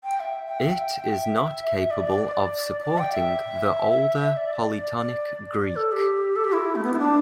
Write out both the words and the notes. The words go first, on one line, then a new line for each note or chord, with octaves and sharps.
It is not capable of supporting the older polytonic Greek.
G5
E5
G5
E5
G5
G5
E5
D5
D5
G5
E5
D5
D5
D5
A4
G4
A4
G4
E4
A3
B3
E4
D4